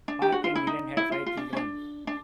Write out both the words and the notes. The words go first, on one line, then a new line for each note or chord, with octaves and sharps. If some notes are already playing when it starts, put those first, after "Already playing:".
Park and Niland had five children.
D4
G4
F#4
F4
E4
D#4
E4
F4
F4
D4
C#4
D4
D4